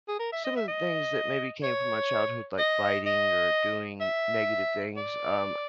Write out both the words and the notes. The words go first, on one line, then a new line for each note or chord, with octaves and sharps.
some of the things that maybe came from my childhood, like fighting or doing negative things, um,
G#4
A#4
E5
D#5
E5
D#5
C#5
D#5
D#5
E5
D5